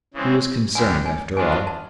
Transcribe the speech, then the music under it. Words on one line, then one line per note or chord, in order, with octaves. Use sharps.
Who was concerned, after all?
C#3 E3 G#3 C4
D2 D3 G3 G#5
G#5
F#3 B3 D4 F4 G#5
A5
A5